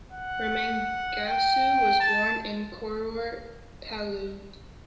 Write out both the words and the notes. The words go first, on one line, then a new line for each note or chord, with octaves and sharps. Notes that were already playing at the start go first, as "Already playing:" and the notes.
Remengesau was born in Koror, Palau.
F#5
G5
A5